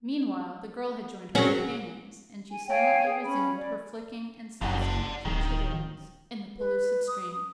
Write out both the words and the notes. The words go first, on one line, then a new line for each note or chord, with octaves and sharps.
Meanwhile the girl had joined her companions, and she silently resumed her flicking and sousing of the chitterlings in the pellucid stream.
F#3 C4 C#4 G#4 A#4 C5 F#5
G#5
C#5 F5 G5 G#5
G#4
C#4 B5
D5
F#1 F2 G#2
D5 F#5
D1 D#3
B4
D#6